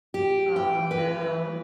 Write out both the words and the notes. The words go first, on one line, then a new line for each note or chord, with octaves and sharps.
Oh no.
G4
G5
B4